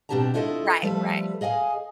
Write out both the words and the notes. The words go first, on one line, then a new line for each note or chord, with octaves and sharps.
Right, right.
B2 C4 D4 G4 A5 A#5
D4 E4 F4 A4 C#5 D#5
F3 G3 A3 A4 B4
G#4 D#5 F5 G5 G#5